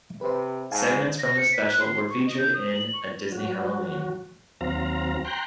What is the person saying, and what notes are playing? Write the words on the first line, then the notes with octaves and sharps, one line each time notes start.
Segments from this special were featured in "A Disney Halloween".
C3 B4 C5
G#2 F5 G#5 A5
A#6
C#7
B6
F#6
C6
C#6
D#5
G6
D#6
F#7
C#6
F#3 F#4
D#2 F#3 C4 F5 A#5
G5 A#5 C6 F#6